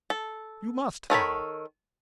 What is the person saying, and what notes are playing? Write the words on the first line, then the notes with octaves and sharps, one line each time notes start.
You must, now!
A4
D#3 A4 C#5 B5